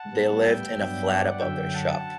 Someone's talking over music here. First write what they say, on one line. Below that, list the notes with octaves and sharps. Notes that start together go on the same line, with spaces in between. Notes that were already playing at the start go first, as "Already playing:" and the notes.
They lived in a flat above their shop.
Already playing: F#5 A5
A2 G3 B3
E5 G5
G2 F#3 B3 D4
D5 F#5
F#2 D3 F#3 E5 G5
F#5 A5